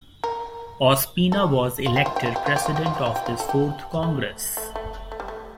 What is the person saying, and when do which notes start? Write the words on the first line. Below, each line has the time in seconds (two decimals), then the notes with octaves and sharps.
Ospina was elected President of this Fourth Congress.
0.24 A#4
1.32 A4
1.86 F4
1.96 G4
2.06 F4
2.16 G4
2.26 F4
2.36 G4
2.46 F4
2.56 G4
2.66 F4
2.76 G4
2.86 F4
2.96 G4
3.06 F4
3.16 G4
3.26 F4
3.40 A4
3.49 G4
4.03 A3
4.57 A3
4.76 A3
5.12 A3
5.20 G3
5.28 A3